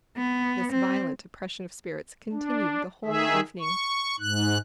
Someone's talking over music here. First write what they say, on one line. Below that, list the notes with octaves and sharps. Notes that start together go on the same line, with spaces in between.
This violent oppression of spirits continued the whole evening.
B3
C4
D4
D#3 G#4 E5
C#6
G#2 F#6